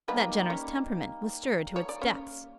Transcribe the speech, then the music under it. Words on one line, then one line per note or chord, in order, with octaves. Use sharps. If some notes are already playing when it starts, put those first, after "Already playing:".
That generous temperament was stirred to its depths.
G3 A#3 B3 D#4 B4
C#4 C#5
C#5
D5
C#4 C#5